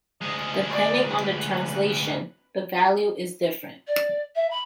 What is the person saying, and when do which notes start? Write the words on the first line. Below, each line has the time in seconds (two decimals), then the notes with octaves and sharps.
Depending on the translation, the value is different.
0.21 D2 G#3 D#5
0.69 D5
1.07 B4
3.87 D5
4.35 E5
4.50 B5